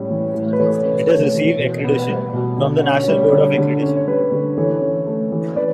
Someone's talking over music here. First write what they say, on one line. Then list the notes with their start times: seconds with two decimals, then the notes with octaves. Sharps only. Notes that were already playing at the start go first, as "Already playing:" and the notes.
It has received accreditation from the National Board of Accreditation.
Already playing: A2 G3 C#4
0.10 E3
0.34 A2
0.53 B4
0.59 E3 A4 C#5
0.84 C#4 B4
1.09 A3 A4 C#5
1.34 E3
1.58 B2
1.84 B3
2.09 G3
2.33 B2
2.58 D3
2.84 C#4
3.08 G3
3.33 D3
3.58 D3
3.82 C#4
3.96 C#5
4.07 G3 B4
4.32 D3
4.58 E3 A4 C#5
4.82 C#4
5.06 A3
5.32 E3
5.56 C#4 B4 D5